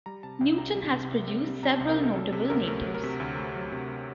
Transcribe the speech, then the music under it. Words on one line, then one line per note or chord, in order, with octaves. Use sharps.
Newton has produced several notable natives.
G3 A#5
C3 A5
C2 G5
C4 A#5
G3
C3
C2
C4
G3
C3 A#5
A5
C2
A#4
C4 A4
F#3 A4
C3 A4
D2 A#4
A3 A#4
F#3
A#4
C3
D2
A3
F#3
C3